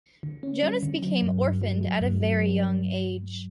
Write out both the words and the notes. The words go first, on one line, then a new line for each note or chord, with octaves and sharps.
Jonas became orphaned at a very young age.
D3
C#4
G3
D3
F#3
G2
G2
F#3
F#3
G2
F#3